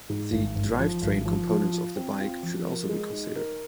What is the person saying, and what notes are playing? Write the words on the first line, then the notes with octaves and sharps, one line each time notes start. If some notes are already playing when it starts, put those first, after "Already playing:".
The drivetrain components of the bike should also be considered.
G#2
G#1
G#1
F3
G#1
F3
F3
F4
C4
F4
F3
A#4
G#3
D#4
A#4